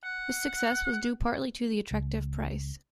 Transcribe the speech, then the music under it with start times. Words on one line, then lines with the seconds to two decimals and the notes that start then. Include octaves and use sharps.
This success was due partly to the attractive price.
0.04 F#5
1.91 C#2